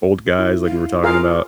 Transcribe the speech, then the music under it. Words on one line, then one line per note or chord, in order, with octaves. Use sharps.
old guys, like, we were talking about.
E4
F5
F4 G#4 A#4 F5